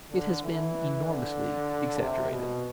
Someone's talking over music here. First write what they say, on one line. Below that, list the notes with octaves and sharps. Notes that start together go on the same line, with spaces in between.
It has been enormously exaggerated.
D3
E3
D3
C3
B2